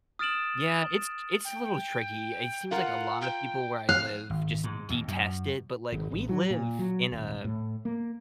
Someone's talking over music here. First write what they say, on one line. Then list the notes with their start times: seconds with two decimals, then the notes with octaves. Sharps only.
Yeah, it's it's a little tricky. It seems like a lot of people where I live just detest it, but, like, we live in a
0.19 D#6 F6 A6 D7 E7 F#7
1.45 G5
2.71 F4 A#4 F#5
3.21 G5
3.89 F5 F#6
4.30 G#1
4.64 G#2
4.89 D#2
5.08 F#2
5.92 G#1
6.12 A1
6.29 F#3
6.50 A#2
6.79 F#3
7.12 D#1
7.44 A2
7.85 A#3